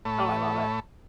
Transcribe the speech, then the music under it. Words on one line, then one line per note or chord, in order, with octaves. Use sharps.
Oh, I love it.
A2 A3 C#5 A5 B5 E6